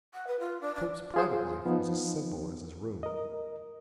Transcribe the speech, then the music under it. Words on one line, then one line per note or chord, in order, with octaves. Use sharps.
The Pope's private life was as simple as His room.
F#5
B4
F4
D4
D4
F4 G#4 C5
F3 B3 D#4
A#4 D#5